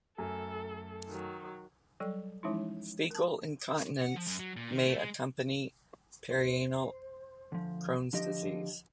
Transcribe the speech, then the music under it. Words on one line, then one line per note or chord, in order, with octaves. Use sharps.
Fecal incontinence may accompany perianal Crohn's disease.
F#2 A3 A4 G#5
D#3 F#3
F#3 G3 A4 G5
E3 F3 G#3 C#4 D#4 E4
A#4 A5
F#5
F3
F#2
F#3
A#2
D#3
A3
G#3
C5
D2 F3
D3 F3 G4 D#5